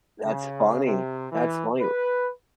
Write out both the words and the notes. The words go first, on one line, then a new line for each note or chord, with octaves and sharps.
That's funny, that's funny.
C#3
C3
E3
B4